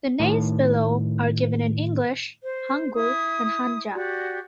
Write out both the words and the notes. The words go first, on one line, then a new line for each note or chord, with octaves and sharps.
The names below are given in English, hangul, and hanja.
A2 D#3
C5
E4 D#6
F#4 G4 D5